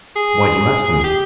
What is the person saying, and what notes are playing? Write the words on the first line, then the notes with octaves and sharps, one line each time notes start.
Why do you ask me?
G#4
G4